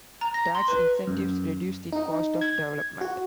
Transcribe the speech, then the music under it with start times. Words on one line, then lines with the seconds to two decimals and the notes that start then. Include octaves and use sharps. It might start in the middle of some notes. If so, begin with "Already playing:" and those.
Tax incentives reduce the cost of development.
0.21 A#5
0.34 A#6
0.55 C6
0.68 B4
1.07 F#2
1.93 D#4
2.41 G#6
3.01 F#4